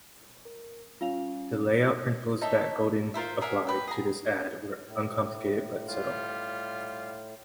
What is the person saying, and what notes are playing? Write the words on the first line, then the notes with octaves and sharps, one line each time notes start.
The layout principles that Golden applied to this ad were uncomplicated but subtle.
A#4
G3 C#4 F4 F5 F7
D#4 A4 C#5 E5
F4 A#4 C5 E5
G#4 A#4 E5 F#5
B4 G5
G#4 F#5 A#5
A2
G3 F4